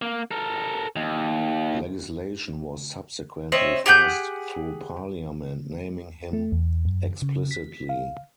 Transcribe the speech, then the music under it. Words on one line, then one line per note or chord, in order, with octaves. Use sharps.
Legislation was subsequently passed through parliament naming him explicitly.
A#3
A4 A#4
D#2
C4 C#5 D#5 E5
G4 G#4 F#5 G6
A3
E2
F#2
C#3
B6
F5